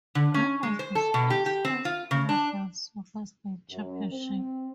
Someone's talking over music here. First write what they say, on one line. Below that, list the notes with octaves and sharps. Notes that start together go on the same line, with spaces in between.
That was the school's first ever girls' soccer State Championship.
D3
C#4
G#3
C5
A4
B2
G4
G4
C4
F4
C#3
D4
F#2
C4